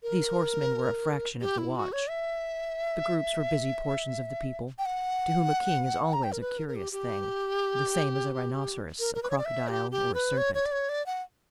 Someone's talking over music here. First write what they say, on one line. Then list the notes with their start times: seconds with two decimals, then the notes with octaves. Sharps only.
These horsemen were a fraction of the watch: the groups were busy portions of the people, to whom a king is always a curious thing, the same as a rhinoceros, a crocodile, or a serpent.
0.03 A#4
1.41 G4
1.58 E4
1.75 F#4
1.92 C#5
2.10 E5
4.79 G5
4.86 F#5
6.13 A#5
6.24 G5
6.32 A#4
6.41 B4
6.58 A#4
6.68 A#4
6.75 G4
6.92 G4
9.00 A#4
9.15 A#4
9.23 B4
9.30 C#5
9.38 D5
9.45 E5
9.68 G4
9.91 G4
10.14 B4
10.37 C#5
10.55 C#5
10.65 D5
10.72 C#5
10.89 D5
11.06 F#5